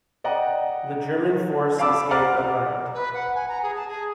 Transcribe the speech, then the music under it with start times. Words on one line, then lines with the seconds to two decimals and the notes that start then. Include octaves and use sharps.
The German force escaped unharmed.
0.24 D5 D#5 F#5 G5 A#5
1.78 D5 F5 A5 B5 D6 E6
2.11 C5 F#5 A#5 D6 F6 A6
2.94 B4
3.14 F#5
3.35 G#5
3.49 A#5
3.62 G#4
3.76 A5
3.88 G#4